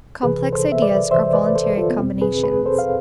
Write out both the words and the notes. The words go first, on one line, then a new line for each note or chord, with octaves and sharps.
Complex Ideas are voluntary Combinations.
C2 C3 E3 G#4 B4
A4 C5
E5
B4 D5
C2 C3 E3 C5 E5
B4 D5
A4 C5
F4 A4
B3
E2 B2 C4
G#4 B4
G#4 B4
A4 C5
F5